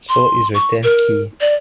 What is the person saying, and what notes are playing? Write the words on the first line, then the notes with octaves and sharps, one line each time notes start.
So is the term "key".
C6
C#6
A#4
D5